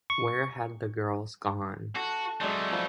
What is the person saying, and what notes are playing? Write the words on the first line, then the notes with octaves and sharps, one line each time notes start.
Where had the girls gone?
C#6
F#4 A4
F#3 G#3 A3 D5
F3 B4 B5